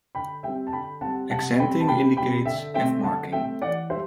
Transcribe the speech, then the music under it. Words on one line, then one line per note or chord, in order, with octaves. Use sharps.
Accenting indicates F-marking.
D3 G5 B5
G3 C4 E5 G5
A5
D3 G5 B5
G3 C4 F#5 A5
C3 F#5 A5
G3 C4 G5 B5
A5
C3 G5 B5
G3 C4 G5 B5
D3 E5 G5
A3 C4 E5 G5
D3 F#5 A5
A3 C4 E5 G5
E3 D5 F#5
G3 D4 C5 E5